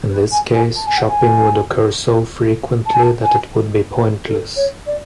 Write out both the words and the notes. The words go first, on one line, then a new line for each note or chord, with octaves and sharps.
In this case, chopping would occur so frequently that it would be pointless.
B4
G#5
G#5
A5
G#5
F#5
G#5
A5
G#5
A5
G#5
B4
A4
C#5
D5